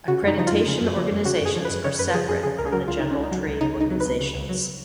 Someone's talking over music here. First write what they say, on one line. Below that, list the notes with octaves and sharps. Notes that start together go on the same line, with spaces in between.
Accreditation organizations are separate from the general trade organizations.
C#3 F#4
F#2 D#4
F3 D#4
F#2 F4
C#3
F#2
F3
F#2
C#3 F#4
F#2 G#4
F3
B4
F#2
C#3 C#5
F#2 B4
F3 G#4
F#2 G#4
C#3 G#4
C#2 A#4
G#4
F#3 A#4
C#2 F4
C#3 D#4
C#4
C#2
D#4
F#3
C#2
C#3 D#4
C#2 D#4
F#3
B4
C#2
C#3
C#2
F#3